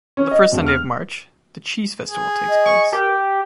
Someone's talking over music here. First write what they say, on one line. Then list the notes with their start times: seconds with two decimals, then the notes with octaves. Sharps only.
On the first Sunday of March the “Cheese Festival” takes place.
0.17 C#4
0.31 D#5
0.52 E1
0.66 F6
2.07 G#4
2.48 D#5
2.65 C#6
2.92 G4 A#4
3.13 G5